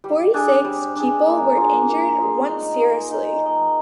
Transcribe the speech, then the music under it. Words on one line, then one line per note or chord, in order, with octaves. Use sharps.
Forty-six people were injured; one seriously.
G3
D4 G#4
G3
D4 G#4
A#3
F4 G#4
A#3
F4 G#4
D#4
A#4 D#5
D#4
A#4 D#5